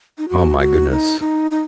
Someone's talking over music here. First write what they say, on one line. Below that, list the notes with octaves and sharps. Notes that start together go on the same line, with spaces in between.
Oh my goodness.
D#4
F#4
F#4
D#4
D#4
D#4